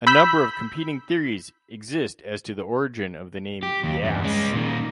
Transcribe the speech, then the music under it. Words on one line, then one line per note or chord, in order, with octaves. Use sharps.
A number of competing theories exist as to the origin of the name "Yass".
B5 E6 G6 B6
G4
D#2
E2 G2
G#3 C#4
A#2 D#3